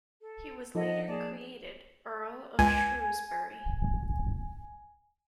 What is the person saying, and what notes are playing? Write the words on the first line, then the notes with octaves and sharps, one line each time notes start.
He was later created Earl of Shrewsbury.
A4
F3 D#4 A4 D#5 F#5
A#3 G#4 D5 A5
C#2 G#5